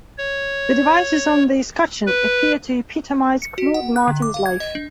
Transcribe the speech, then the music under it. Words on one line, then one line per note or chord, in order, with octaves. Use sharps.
The devices on the escutcheon appear to epitomise Claude Martin's life.
C#5
B4
C#7
F#4
F#5
F#6
D3
D6
F5
G#6
D#5
D4